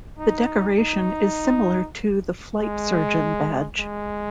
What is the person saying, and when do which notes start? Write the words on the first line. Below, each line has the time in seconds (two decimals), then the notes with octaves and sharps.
The decoration is similar to the Flight Surgeon Badge.
0.19 D#4
0.79 D#4
2.59 G#3
3.79 G#3